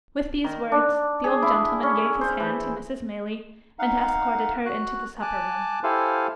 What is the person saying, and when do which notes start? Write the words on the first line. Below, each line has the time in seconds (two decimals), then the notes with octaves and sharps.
With these words, the old gentleman gave his hand to Mrs. Maylie, and escorted her into the supper-room.
0.44 D#3
0.72 D4
1.24 G#4
1.42 E4
1.83 C#4
2.21 C5
2.40 E3
3.79 D#4 F5 F#5
4.66 F#4 F#6
5.22 G#5 A5 D6 F#6
5.83 E4 G4 A4 C5 F5 G#5